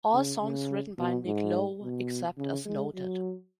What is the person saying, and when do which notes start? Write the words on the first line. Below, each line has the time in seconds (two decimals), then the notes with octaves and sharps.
All songs written by Nick Lowe except as noted.
0.13 C#3
0.41 C#3
0.98 B2
1.25 G#2
1.82 B2
2.37 C#3
2.65 G#3
2.94 F#3